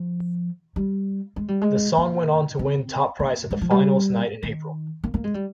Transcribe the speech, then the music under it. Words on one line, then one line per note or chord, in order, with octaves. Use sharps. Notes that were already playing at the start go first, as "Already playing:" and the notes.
The song went on to win top prize at the finals night in April.
Already playing: F3
G3
G#3
G3
G#3
A#3
C4
A#3
G#3
F3
G3
D#3
A#3
A#3
G#3
G3